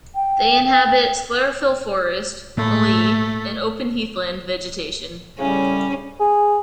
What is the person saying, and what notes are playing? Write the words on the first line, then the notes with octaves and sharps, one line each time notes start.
They inhabit sclerophyll forest, mallee, and open heathland vegetation.
G5
A2 A3 A#3
A2 C#3 G3 C#4
G#4